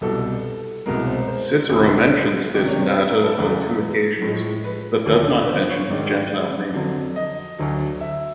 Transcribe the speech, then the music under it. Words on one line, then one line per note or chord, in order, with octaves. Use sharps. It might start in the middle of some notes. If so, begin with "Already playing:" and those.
Cicero mentions this Natta on two occasions, but does not mention his gentile name.
C2 B2 G3 A4
C2 B2 G#3 A#4
C5
C5
D2 C3 F3
C#2 C3 D#3 G#3 D5
C#5
C5
B4
A#4
A4
E2 C#3 E3 G#3 B4
A2 F3 G#3
B4
D#2 D3 F3
B4
C5
C#5
G#2 D#3 G#3 D5
F2 D3 F#3
D#5
D2 D3 F#3
E5